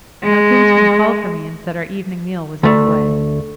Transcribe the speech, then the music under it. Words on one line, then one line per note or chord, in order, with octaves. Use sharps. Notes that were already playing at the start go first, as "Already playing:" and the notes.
Now Coonskin called for me and said our evening meal was under way.
G#3
D2 A3